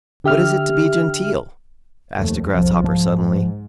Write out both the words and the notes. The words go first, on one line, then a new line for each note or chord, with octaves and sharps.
"What is it to be genteel?" asked a Grasshopper suddenly.
D3 G4 E5 F6
F1 D#2 A3
C2 F2 F3
G#2 F3